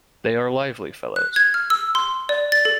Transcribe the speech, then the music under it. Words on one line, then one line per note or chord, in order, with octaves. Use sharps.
They are lively fellows.
F#6
G#6
F6
E6
C6
D5
A6
A4